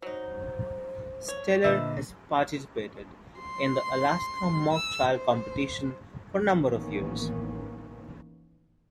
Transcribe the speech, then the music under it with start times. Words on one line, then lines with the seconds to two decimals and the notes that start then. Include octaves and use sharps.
Steller has participated in the Alaska Mock Trial Competition for a number of years.
0.02 F#3 D#4 C5
1.28 C#5
1.64 A#2 D3 F3 B4 D#5 E5
3.40 C6
4.73 E6
5.15 C5
6.44 A1 D#3 E3 A#3 B3 C#4